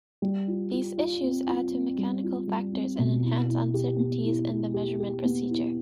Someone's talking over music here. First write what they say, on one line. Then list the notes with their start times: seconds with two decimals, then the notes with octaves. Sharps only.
These issues add to mechanical factors and enhance uncertainties in the measurement procedure.
0.22 G3
0.47 F4
0.72 F4
0.98 F4
1.23 C4
1.47 F4
1.73 C4
1.98 G3
2.23 F4
2.48 G3
2.73 C4
2.99 B2
3.23 E4
3.49 E4
3.74 G4
3.99 B3
4.24 E4
4.49 E4
4.74 G4
5.00 G4
5.24 B3
5.49 E4